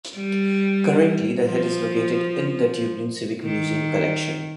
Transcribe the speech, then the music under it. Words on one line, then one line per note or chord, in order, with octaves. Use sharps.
Currently the head is located in the Dublin Civic Museum collection.
G3
F3
D#3